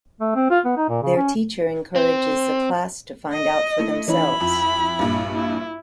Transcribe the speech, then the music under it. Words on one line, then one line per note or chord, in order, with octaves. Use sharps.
Their teacher encourages the class to find out for themselves.
A3
C4
F4
B3
D#4
A#2
C#3
C#4
C4
D#5
A3 E4
E3 C#4 D#4 E4 B5
F2 F3 E5
A#1 G2
E4